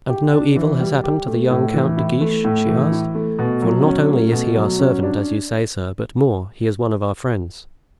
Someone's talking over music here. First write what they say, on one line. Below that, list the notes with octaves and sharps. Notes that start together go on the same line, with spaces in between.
"And no evil has happened to the young Count de Guiche?" she asked; "for not only is he our servant, as you say, sir, but more--he is one of our friends."
G4
D4
E3
G3
G4
A3
A2
E3
E4
A3
A2
E3
E4
A3
B2
F#3
C#4
A3
B2
F#3
C#4
D4